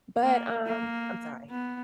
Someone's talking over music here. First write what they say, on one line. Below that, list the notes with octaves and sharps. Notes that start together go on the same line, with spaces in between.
but, um I'm sorry.
A#3
A#3
B3